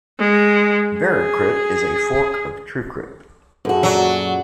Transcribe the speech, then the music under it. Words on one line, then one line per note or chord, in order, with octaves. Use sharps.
VeraCrypt is a fork of TrueCrypt.
G#3
G#4
F#2 F#4 G#4 A4 B4
A#2 F#3 D5